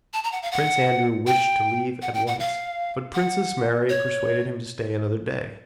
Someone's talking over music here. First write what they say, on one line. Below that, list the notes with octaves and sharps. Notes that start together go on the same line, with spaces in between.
Prince Andrew wished to leave at once, but Princess Mary persuaded him to stay another day.
A5
A#5
F#5
F5
F#5
G5
F#5
G5
F#5
F5
F#5
C#5